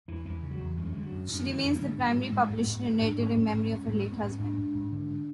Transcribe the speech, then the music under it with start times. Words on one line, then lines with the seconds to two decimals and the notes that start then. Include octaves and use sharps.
She remains the primary publisher and editor in memory of her late husband.
0.08 E2 E3
0.25 E2 E3
0.43 C#3
0.51 F#3
0.60 E2
0.77 F#2 G#3
0.85 A3
0.93 D3 G#3
1.03 F#3
1.12 F#2
1.29 F#2 E3
1.40 F#3
1.46 D3 E3
1.63 F#2
1.74 E3
1.80 G#2 D3
1.98 G#2
2.06 F#3
2.15 G#2
2.32 G#2 A3
2.50 G#2
2.59 B3
2.67 G#2
2.84 G#2 B3
3.02 G#2 D4
3.18 G#2 C#4
3.36 G#2 C#4
3.53 G#2
3.71 G#2
3.84 G#2 G#3
3.98 A3
4.05 G#2
4.12 B3
4.22 G#2 C#4
4.40 G#2 D4
4.57 G#2
4.75 G#2
4.91 D3